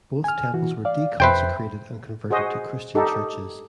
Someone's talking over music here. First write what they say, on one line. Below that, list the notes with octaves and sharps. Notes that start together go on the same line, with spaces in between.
Both temples were deconsecrated and converted to Christian churches.
G#5 F6
E3 F#4
D5 F5
F2 B4 C5 E5 G5
F#4 G#4 C5 D#5
D#4 G4 A4